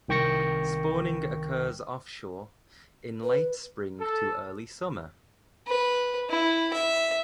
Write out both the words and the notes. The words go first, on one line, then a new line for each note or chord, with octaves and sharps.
Spawning occurs offshore, in late spring to early summer.
C2 D#3 G5 C#6 A#6 C#7
B4
A4
B4
E4
E5